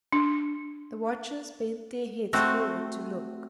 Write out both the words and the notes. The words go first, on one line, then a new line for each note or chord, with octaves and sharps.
The watchers bent their heads forward to look.
D4
A3 C4 F#4